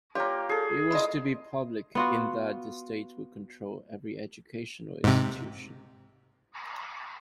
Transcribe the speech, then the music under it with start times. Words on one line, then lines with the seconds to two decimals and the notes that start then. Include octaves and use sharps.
It was to be public in that the state would control every educational institution.
0.15 A#3 F4 G4 C#5
0.49 G#4 A4
0.91 E4 F4 D#5
1.95 B3 F4 F#4
5.04 G#2 C3